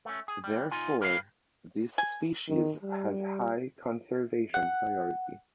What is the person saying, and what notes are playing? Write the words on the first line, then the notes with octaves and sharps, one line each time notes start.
Therefore, this species has high conservation priority.
A3 C#4
G#4
G3
D#4 F4 G#5
G4 A#4 B4 C#5 E5 F5
G#5
D#3
G3
F#5